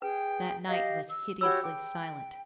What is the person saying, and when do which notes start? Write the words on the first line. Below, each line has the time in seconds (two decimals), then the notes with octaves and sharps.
That night was hideously silent.
0.02 G#4 B4 G5
0.68 G4 D#5 F5
1.10 E6
1.41 F#4 G4 C#5 B5 E6
1.64 G#4 G5